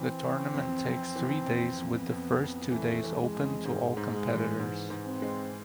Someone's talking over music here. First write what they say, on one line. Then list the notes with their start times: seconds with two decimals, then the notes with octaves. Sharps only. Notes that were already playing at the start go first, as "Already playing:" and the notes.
The tournament takes three days with the first two days open to all competitors.
Already playing: E3 C4
0.23 E3
0.54 F2
0.86 F2
1.16 E3
1.47 F2
1.78 F2 B3
2.10 F2
2.41 F2
2.71 E3 A3
3.04 E3
3.19 G#3
3.35 F2
3.65 G#2 G#3
3.97 G#2
4.13 G#3
4.28 E3
4.60 G#2
4.90 G#2
5.05 C4
5.22 G#3